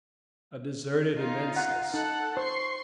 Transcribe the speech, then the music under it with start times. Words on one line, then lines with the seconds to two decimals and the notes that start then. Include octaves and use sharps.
A deserted immenseness.
1.17 D#4 F4
1.56 F#5
1.94 D#4 A4 F#5 F#6
2.37 C5 C6 C#6 C7